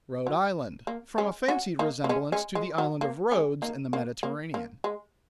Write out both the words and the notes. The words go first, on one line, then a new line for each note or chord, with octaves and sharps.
Rhode Island--From a fancied resemblance to the island of Rhodes in the Mediterranean.
F#3
A#3
G#3 C#4
C#4 F#4
A#3 D#4
A#3
G#3 C#4
G#3 C#4
G#3
F#3
A#3
G#3 C#4
A#3 D#4
A#3
A#3
A#3
G#3